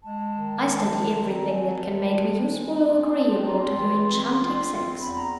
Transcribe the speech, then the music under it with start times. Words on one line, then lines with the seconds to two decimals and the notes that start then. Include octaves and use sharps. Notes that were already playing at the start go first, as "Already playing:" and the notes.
I study everything that can make me useful or agreeable to your enchanting sex.
0.03 G#3 A5
0.35 D#3
0.65 G#3 A5
0.96 D#3
1.27 C4 A#5
1.48 G#5
1.59 D#3
1.69 A5
1.90 G#3 A5
2.21 D#3
2.51 C4 G#5
2.83 F4
3.14 C4 A5
3.29 A5
3.45 F4 A#5
3.61 C6
3.76 E3
4.08 C4
4.38 F4
4.70 C4
5.00 E2 B5
5.16 A#5